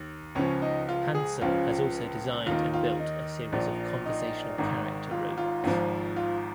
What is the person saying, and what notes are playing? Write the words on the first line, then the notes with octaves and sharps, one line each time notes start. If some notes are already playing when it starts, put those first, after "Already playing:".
Hanson has also designed and built a series of Conversational Character Robots.
Already playing: D#2
C#2 C#3 F3 C#4
D#4
F4
G#4
C#2 C#3 F3 F4
D#2 D#3 F4
F4
D#4
A#1 A#2 F3
D#4
G#1 G#2 D#3
F4
F4
G#1 G#2 F3
F4